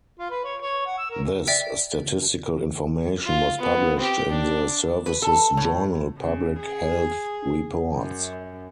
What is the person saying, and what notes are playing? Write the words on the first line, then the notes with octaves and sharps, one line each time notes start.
This statistical information was published in the Service's journal, Public Health Reports.
F4
B4
C#5
C#5
F#5
E6
A#4
D5 E5 G5
F4
B3
C4 G4
D4
B4
A4
A2
C#3
G#4
F#2